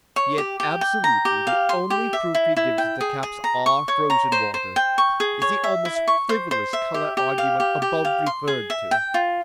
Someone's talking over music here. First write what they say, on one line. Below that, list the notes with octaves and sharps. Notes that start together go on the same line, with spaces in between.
Yet absolutely the only proof he gives that the caps are frozen water is the almost frivolous colour-argument above referred to!
C#5
G4
G4
G5
A#5
G4
F5
C6
G4
E5
E4
E4
G5
G#4
G#4
A#5
C#6
C#5
A#5
C5
C5
G5
C#6
G#4
C#5
E5
E4
C#6
C5
C5
E5
G4
G4
F5
G4
G4
F5
C6
G#4
E5
G5
F4